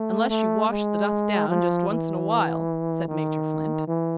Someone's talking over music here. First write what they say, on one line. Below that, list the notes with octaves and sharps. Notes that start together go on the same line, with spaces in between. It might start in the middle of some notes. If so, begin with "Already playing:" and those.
"Unless you washed the dust down just once in a while," said Major Flint.
Already playing: A3
A3
G#3
F3
E3
D#3
E3